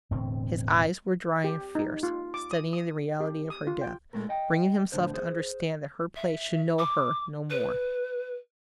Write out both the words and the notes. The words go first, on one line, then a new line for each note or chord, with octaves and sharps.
His eyes were dry and fierce; studying the reality of her death; bringing himself to understand that her place should know her no more.
E1 A2 D3 C4
G4
D#4
F4
D6
D#6
D#6
G4
D#6
F4
G5
A#2 G#3 A3 A#4
D#5 G5
E2 A2 D3 C5
G#4 C5
E5
D6
B4